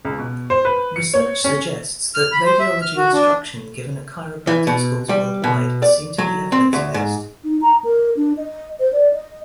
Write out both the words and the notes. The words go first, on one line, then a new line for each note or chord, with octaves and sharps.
Research suggests that radiology instruction given at chiropractic schools worldwide seem to be evidence-based.
C#2
B2
C5
B4
C#7
C#5
C#4
F6
B5
C5
E5
F6
F#4
D4
E3
B2
G3
B2
D5
F#3
C4
D2
G#2
D#4
A#5
A#4
D4
D#5
C5
D5
D#5